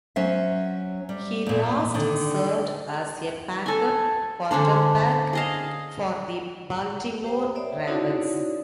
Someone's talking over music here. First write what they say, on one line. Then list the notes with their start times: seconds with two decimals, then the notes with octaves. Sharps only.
He last served as a backup quarterback for the Baltimore Ravens.
0.16 F#3 C#4 C5 E5
1.09 G3
1.46 E2 A#2
1.94 D3 D#3 D5
3.66 A4 G#5
4.51 D3 C#4 D4 C5
5.33 G#4 D#5 F5
7.24 G4 C5 G5
7.55 C#5 D5 E5
7.87 C#4 D#4 E4 F#4 C#5 D5